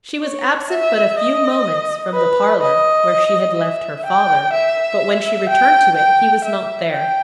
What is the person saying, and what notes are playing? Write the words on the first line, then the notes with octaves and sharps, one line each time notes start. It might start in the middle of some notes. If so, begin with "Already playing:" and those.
She was absent but a few moments from the parlor, where she had left her father, but when she returned to it he was not there.
C#5
E5
D#5
B4
D#5
E5
G5
E5
G5
G5
E5
G5